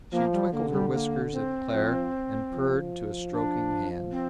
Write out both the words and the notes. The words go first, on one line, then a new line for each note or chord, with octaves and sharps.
She twinkled her whiskers at Claire, and purred to a stroking hand.
F3 A#3
G3
D3 A#3
G3
A#3
C4
F3
F3
D4
C4